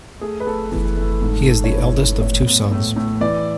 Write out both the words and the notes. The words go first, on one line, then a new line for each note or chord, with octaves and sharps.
He is the eldest of two sons.
A3 G#4
B4
A3 A4
E3
A3
G#2
G#2
C#5
E4 B4
C#4
A2 C#5
B3
A2
A2
E3 D5